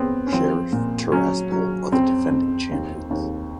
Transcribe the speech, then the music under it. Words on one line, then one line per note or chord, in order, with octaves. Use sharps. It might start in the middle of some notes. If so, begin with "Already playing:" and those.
Sheriff Tiraspol are the defending champions.
Already playing: F2 B3 C4
C#4
F3 C4
A#2
F#3 C#4
F#3
F2 C4
F2
D#2
D#2